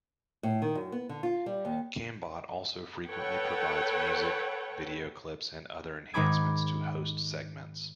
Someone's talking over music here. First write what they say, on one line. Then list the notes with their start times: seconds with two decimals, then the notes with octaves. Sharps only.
Cambot also frequently provides music, video clips, and other enhancements to host segments.
0.43 A2
0.62 D#3
0.75 F#2
0.92 B3
1.09 D3
1.23 F4
1.46 G3
1.65 D#2
3.07 A4 B4 C#5 F#5 G5
6.14 G#2 D#3 D#4 B5 D6 G#6